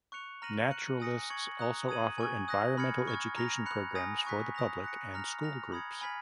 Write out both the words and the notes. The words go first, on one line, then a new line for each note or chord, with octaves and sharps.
Naturalists also offer environmental education programs for the public and school groups.
C#6 F#6 C#7 F7
A#5 F6 A#6 D#7 F#7
F#6 C#7 F#7
G#5 D#6 A#6 C#7
C#6 G#6 C#7 F#7
A#5 D#6 F#6
D#6 G#6 D#7 F#7
G#5 C#6 G#6
D#6 F#6 A#6
B5 F6 G#6 C#7
C#6 F6 G#6
A#5 F6 A#6 F7
B5 F#6 C#7 F7
G#5 D#6 A#6
G#5 C#6 F#6 B6
D#6 F#6 A#6 F7
F#6 A#6 C#7
A#5 F6 A#6 F7
F6 A#6 F7
B5 D#6 G#6 C#7
G#5 B5 F6 G#6 B6